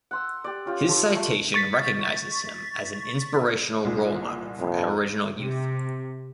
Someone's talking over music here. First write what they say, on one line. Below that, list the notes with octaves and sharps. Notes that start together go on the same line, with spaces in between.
His citation recognizes him as an inspirational role model for Aboriginal youth.
F#5 C6 E6
G4 D5
C#4 F4 G4
A4 C6 C#6
A3
C#6 A6 B6
C2 A#2
F2
C3